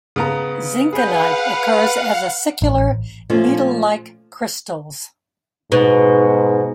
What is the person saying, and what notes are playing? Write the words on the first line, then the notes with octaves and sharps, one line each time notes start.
Zinkenite occurs as acicular needle-like crystals.
C#3 B3 A#5
G#4 B4 F5 F#5 G6
A1
A#2 F3 A3 C#4 F4
G#2 B2